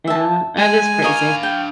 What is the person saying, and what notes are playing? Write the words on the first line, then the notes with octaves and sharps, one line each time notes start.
Yeah, that is crazy.
E5 A5
G#3 G#5
D4 A#4 D#5 F5 C#6
G5